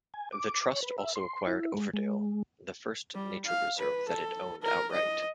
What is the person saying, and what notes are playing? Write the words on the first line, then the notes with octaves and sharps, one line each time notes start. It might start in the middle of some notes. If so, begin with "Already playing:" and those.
The Trust also acquired Overdale, the first nature reserve that it owned outright.
G#5
D6
C#5
B4
E5
C6
E4
G#3
G#3
G3
F5
B4
A4
A#4
D#5